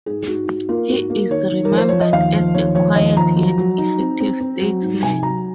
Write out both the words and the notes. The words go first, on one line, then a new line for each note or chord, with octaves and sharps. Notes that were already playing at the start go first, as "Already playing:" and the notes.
He is remembered as a quiet, yet effective statesman.
G#2 G#4
G#4
G#2 F#4
G#2 F#4
A#3 F4
G#2 F#4
A#3
D#3 C#5
D#3
A#4
F3
C5
F3 C#5
D#5
D#2 F5
F3
D#2 C#5
F3 C#5
D#2 D#5
F3 A#5
F#3
F#3
D#4
C4
C4
C4
F#3
G#2
C3 G#5
F#3 A#5